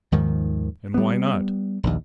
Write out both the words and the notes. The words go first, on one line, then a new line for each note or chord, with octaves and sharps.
And why not?
D#2 G#2 D#3 F3
G3 B3
A#1 D#2